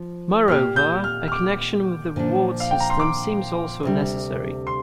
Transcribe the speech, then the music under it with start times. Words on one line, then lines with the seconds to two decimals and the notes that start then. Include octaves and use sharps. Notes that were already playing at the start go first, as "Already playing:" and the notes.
Moreover, a connection with the reward system seems also necessary.
Already playing: F3
0.48 A#2 A#3 G4 F6
0.76 G6
1.04 F6
1.28 F6
1.32 D6
2.16 A#2 F3 D4
2.60 F5
2.71 G5
2.80 A#5
2.90 C6
3.00 D6
3.83 D2 C3 G3
4.67 C6